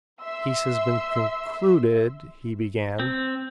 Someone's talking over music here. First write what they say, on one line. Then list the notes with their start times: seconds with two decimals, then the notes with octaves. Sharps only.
"Peace has been concluded..." he began.
0.21 E5 C6 E6
3.00 C4